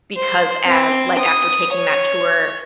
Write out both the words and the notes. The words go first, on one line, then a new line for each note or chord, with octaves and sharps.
because as like, after taking that tour
C5
C4
D#6
C#5